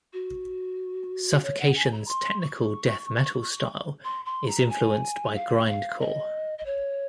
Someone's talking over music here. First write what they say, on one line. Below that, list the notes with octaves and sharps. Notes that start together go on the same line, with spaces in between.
Suffocation's technical death metal style is influenced by grindcore.
F#4
C#5
F#5
G#5
A#5
C6
C#6
C6
C6
A#5
G#5
F5
F5
D#5
D#5
C#5